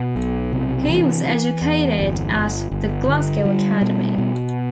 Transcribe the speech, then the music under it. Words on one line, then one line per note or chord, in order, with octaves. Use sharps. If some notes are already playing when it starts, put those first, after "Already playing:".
He was educated at The Glasgow Academy.
Already playing: B2
B1
C3
E3
E3
E2
G1
G1
G1
D3
G3
B2
B2